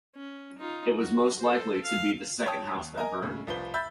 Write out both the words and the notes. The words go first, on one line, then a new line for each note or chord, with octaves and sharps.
It was most likely to be the second house that burned.
C#4
D#4 F4
F#4
A4 C5
F5
C#5 G5 A5 D#6
D#2
A#4 D#5 G#5 A#5
A2 C#3
C2 F3 B4 G7
E5 B5 E6 G6 A6